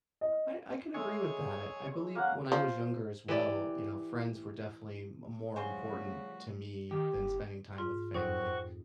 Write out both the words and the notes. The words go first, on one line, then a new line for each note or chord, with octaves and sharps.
I I can agree with that, I I believe when I was younger, as well, you know, friends were definitely m more important to me than spending time with family.
D#5
G#3 G#4 A4 C#5 E5
C#5
A#3 C#4 F#5
F3
E3 G4 D5
C#3 F3 G3 A3 F#4 C5 G#5 C6
D#3 G4
F#1
G#2 F4
F2 C4 D#4 F#4 C#6